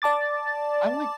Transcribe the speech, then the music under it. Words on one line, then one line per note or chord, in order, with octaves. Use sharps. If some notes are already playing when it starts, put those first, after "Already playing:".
I like
D5 A5 D6 A6